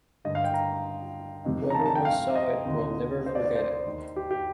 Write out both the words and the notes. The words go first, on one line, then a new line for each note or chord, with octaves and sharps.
Whoever once saw it will never forget it.
G2 D3 D#5
F5
G5
A#5
F2 C3 D#3
A#5
A5
A5
G5
F5
D#5
D2 C3 D#3
C5
D5
D5
C5
D#2 D#3
G4
G4